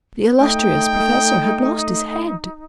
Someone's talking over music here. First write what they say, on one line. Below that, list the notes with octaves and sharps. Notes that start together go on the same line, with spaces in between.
The illustrious professor had lost his head.
A3 D#4 G5